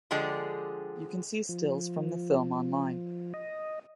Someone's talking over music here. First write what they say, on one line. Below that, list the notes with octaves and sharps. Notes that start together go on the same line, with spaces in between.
You can see stills from the film online.
D3 F3 G#3 G4 G#4
F3
D#5